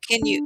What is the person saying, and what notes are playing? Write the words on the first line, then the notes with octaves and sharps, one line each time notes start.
Can you
D4